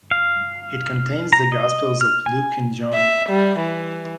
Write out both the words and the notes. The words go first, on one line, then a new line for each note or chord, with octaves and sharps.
It contains the Gospels of Luke and John.
F5
A#5
D#5
F6
G#5
E5
G3
E3